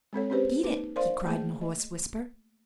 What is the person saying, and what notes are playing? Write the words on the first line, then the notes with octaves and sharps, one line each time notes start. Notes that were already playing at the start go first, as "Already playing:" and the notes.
"Beat it!" he cried in a hoarse whisper.
G#3 C4 A4 C#5
C4 C#4 G4 G#4 B4 C5
A#3 D#4 B4
A#4 C5 D5 F5 C6
A3 A#3 G#4
D#5